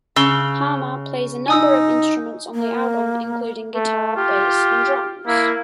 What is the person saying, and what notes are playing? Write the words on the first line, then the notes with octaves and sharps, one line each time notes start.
Harmer plays a number of instruments on the album, including guitar, bass, and drums.
C#3 E6 G7
D#4 G#5 D#6 E6
A#3
A3
F4 G4
A#3 E4